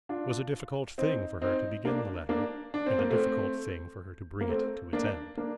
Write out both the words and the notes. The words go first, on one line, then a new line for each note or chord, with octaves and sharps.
It was a difficult thing for her to begin the letter, and a difficult thing for her to bring it to its end.
D4 F4
C4 D#4
C4 D#4
A#3 D4
A#3 D4
D4
C4
A#3
A3 C4
A#3
A3 C4
A#3 D4
A#3 D4